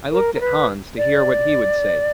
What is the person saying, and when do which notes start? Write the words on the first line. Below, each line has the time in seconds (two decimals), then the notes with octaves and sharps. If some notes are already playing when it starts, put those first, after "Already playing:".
I looked at Hans, to hear what he would say.
0.12 A#4
0.34 A#4
0.41 B4
0.97 D5